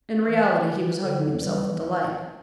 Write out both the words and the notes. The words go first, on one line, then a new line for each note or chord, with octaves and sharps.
In reality he was hugging himself with delight.
E3
D3 F#3
E3 G3